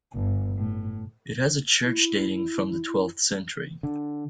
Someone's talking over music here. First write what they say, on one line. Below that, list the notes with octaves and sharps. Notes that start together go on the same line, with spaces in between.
It has a church dating from the twelfth century.
G1
A2
E4
D3